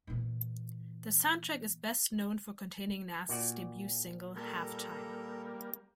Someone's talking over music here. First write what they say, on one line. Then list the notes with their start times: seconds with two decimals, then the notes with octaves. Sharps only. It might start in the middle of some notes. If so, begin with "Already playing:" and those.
The soundtrack is best known for containing Nas's debut single "Halftime".
0.07 A#2 E3
3.29 A#2 F#4 D5
4.36 G3 A#3 A4 A#5